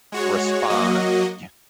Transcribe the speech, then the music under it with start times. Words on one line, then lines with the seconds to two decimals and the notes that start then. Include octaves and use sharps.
respond yeah
0.12 G#3 F#4 C#5
0.70 F#3 A#3 F#4 D#5